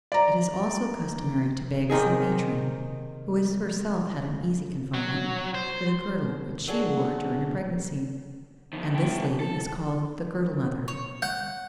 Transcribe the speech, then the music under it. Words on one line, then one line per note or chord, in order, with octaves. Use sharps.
It is also customary to beg some matron, who has herself had an easy confinement, for the girdle which she wore during her pregnancy; and this lady is called the girdle-mother.
D5 A#5
C3 D#3 D#4 G#4
F#3
C5
F#3 D4 G#4 A4 F#5
F2 D#3
B2 G5
A4
C#5
F#5 G6